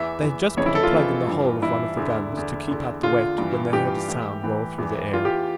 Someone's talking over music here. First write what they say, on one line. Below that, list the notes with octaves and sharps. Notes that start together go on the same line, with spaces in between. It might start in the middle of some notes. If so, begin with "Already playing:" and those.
They had just put a plug in the hole of one of the guns, to keep out the wet, when they heard a sound roll through the air.
Already playing: E2 E3 E5
E2 E3
F2 C#3 E3 C#5
E4
A4
F4
F2 C#3 E3
G2 E3
G2 E3 E4
E2 D3
E2 D3
E2 D3
E2 D3 F4
G2 E3
G2 E3 G4
A2 E3
A2 E3
E2 E3
E2 E3 F4
G4